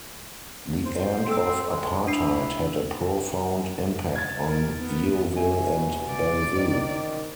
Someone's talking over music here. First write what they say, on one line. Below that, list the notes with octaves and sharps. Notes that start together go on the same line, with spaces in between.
The end of apartheid had a profound impact on Yeoville and Bellevue.
C5
C4 A4 E6
G#3
D4 E4 C7
G#6 A6
A#4
B3
C#5 E5 G#5
B2
D5
D#3 C5